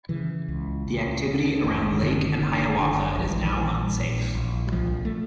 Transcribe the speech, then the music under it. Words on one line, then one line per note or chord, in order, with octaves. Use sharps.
The activity around Lake and Hiawatha is now unsafe.
C#3 E3
C#2
C#2
C#3
F#1 D#3
D3 D#3
F#1 D#3
D3
F#1 D3
A#1 F3
E3
D#3
A#2 E3
A#1
A#1
F#3
C2 F3
A3